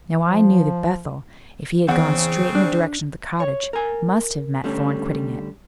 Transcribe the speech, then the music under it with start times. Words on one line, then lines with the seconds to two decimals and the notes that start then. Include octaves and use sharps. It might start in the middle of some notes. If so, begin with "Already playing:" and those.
Now I knew that Bethel, if he had gone straight in the direction of the cottage, must have met Thorn quitting it.
0.24 F3
1.88 E2 C#3 C4 F#5
2.55 D4
3.40 C#5
3.73 A#4 G#5
4.64 D3 G3 A3 C#4